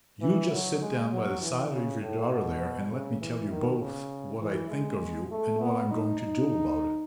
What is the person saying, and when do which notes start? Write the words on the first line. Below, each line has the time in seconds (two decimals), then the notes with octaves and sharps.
"You just sit down by the side of your daughter there and let me tell you both what I think of you and what I'm going to do about it."
0.22 E3
0.52 F#3
0.82 G#3
1.13 F#3
1.42 E3
1.71 C#3
2.02 A2
2.32 B2
2.91 C#3
3.21 E3
3.51 D#3
3.81 C#3
4.41 E3
4.70 G#3
5.31 A3
5.61 B3
5.90 D#4
6.20 D#4